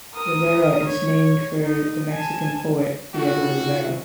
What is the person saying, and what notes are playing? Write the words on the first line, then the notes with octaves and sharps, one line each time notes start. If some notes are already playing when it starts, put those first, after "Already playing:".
Rivera is named for the Mexican poet Diego Rivera.
A#4 D#6
C#5
D#4
G#5 A5
D#4 F4 F#4 A4